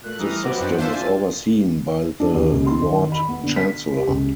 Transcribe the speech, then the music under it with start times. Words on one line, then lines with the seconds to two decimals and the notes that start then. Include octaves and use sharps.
The system is overseen by the Lord Chancellor.
0.04 A#2 A3 F#6
0.19 E3 G3 A#5 D#6 F6
0.43 F#3 C4 F#4 B4 D6
0.60 F#2 D4 F#5 G5
0.79 E3 D4 F4 C5 E5 A5
0.93 D4 F4 G#5 A6
2.20 D4
2.34 D#2
2.52 C#2
2.67 C6
2.82 D#3
2.99 D#3
3.12 B5
3.28 B3
3.43 D3
3.56 B6
3.97 G4
4.08 C#2